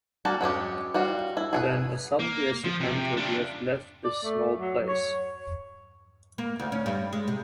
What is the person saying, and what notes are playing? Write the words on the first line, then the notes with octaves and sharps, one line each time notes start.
Then, as suddenly as you entered, you have left this small place.
G3 A#3 F#4 A5
F#3 G#3 C#4 G4
G3 F4 F#4
E4
G#4 A4 B4
A#3
F3
C3
D4 F4
D5
A3
F#3
C#5
A#3
D2
C#4
G2
G#3
C3